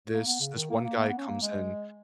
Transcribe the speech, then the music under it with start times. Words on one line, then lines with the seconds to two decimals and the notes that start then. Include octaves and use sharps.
this this one guy comes in
0.13 A#3
0.27 B3
0.40 C#3
0.55 D#3
0.70 A#3
0.84 A#3
0.99 A#3
1.09 B3
1.18 C#4
1.28 A#3
1.42 G#3